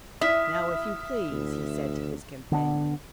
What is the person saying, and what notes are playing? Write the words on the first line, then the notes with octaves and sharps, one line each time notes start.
"Now if you please," he said to his companion.
E4 E5 D#6 F6
D2
D3 B3 D4